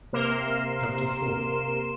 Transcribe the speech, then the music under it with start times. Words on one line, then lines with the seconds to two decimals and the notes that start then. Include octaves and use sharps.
Chapter IV.
0.13 C3 A#3 A#4 C6 E7